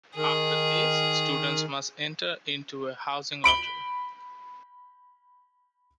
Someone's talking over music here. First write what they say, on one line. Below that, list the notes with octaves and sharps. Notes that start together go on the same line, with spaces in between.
After this, students must enter into a housing lottery.
D#3 G#4
B5 D7 F#7 G7